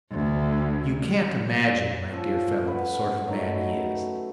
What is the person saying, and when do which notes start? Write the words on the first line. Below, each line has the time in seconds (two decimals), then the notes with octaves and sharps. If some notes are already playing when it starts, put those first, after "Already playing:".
You can't imagine, my dear fellow, the sort of man he is.
0.12 D2
2.11 F3 C#4 A4
2.64 B4 F#5
3.28 F#3 A3 D#4